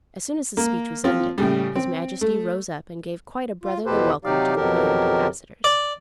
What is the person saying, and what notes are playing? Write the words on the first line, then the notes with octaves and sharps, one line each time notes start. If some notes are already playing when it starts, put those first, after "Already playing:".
As soon as the speech was ended, his Majesty rose up and gave quite a brotherly welcome to the brilliant ambassadors.
A#3
F3 C4 F4
A2 C#3 G3
C4
A3
F4
E2 B2 G4 A4 B4 C5
C3 F#3 D#4 G4 D5 F5
F2 B2 F#3 G4 A4 A#4
D5